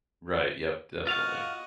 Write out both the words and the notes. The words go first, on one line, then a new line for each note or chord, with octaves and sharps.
Right, yep, definitely.
F4 F#4 D#5 F5